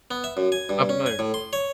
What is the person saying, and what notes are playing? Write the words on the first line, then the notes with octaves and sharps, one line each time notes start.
Not familiar.
B3
E5
F#2
G#5
G2
C#4
G#5
A2
C6
C#5